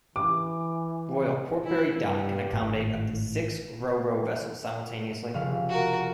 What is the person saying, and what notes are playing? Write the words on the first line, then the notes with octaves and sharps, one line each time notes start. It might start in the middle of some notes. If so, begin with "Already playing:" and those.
Royal Portbury Dock can accommodate up to six RoRo vessels simultaneously.
E3 D6
E4
G2
G#1 A2
F1 C#3 F5
F#4 A#4